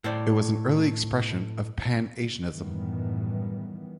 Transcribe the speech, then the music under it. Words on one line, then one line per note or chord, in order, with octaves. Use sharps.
It was an early expression of Pan-Asianism.
A2 C5 D5
F#2 A2 D#3 E3 G3 B3